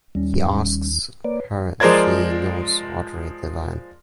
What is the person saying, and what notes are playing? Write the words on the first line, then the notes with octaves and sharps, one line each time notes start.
He asks her if she knows Audrey Devine.
D#2 G3 C#4
A#3 B4 C#5 D5
F3 G#3 A#4 C5 D5 G#6